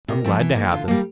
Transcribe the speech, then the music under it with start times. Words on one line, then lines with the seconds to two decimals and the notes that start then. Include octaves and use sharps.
I'm glad to have them.
0.08 C3 A#4
0.24 F3 A3 C4
0.40 E3
0.56 A#3
0.72 D3 F4
0.88 G3 A#3